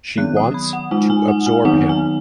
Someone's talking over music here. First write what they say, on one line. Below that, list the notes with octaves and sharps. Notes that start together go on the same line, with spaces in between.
She wants to absorb him.
D#3 F#3 B3 F#6
D#6
B5
F#5
G#3 D#4 G#5
G#5
F#5
G#5
D#3 F#3 B3 D#4 F#5
G#5